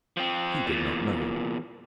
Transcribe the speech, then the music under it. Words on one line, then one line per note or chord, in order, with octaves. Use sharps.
He did not know.
F3 C4
E2 A#2